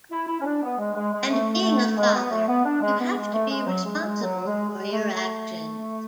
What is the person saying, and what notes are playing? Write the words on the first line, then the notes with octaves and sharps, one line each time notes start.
And being a father, you have to be responsible for your actions.
E4
E4
C#4
D4
B3
G#3
G#3
G#3
A3
A3
G#3
B3
A3
B3
D4
G#3
B3
G#3
A3
G#3
F#3
G#3
G#3
F#3
G#3
G#3
A3
A3